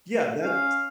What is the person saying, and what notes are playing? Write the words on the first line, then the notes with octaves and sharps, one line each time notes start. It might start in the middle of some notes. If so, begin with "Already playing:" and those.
Yeah, that's
C#4 F5